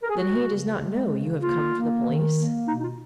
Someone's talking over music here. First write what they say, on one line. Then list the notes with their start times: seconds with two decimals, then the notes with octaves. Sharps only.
"Then he does not know you have come for the police?"
0.03 A#4
0.09 G#4
0.17 G#3 F#4
0.48 C#3
0.79 G#3
1.12 C#3
1.42 A#3 F4
1.74 A#3
2.05 D#3
2.37 A#3
2.67 B2 D#4
2.79 D#4
2.84 F4